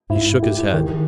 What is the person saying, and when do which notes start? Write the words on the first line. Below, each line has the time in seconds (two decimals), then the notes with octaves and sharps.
He shook his head.
0.10 G#2 E4
0.43 G4
0.74 D#3 G#4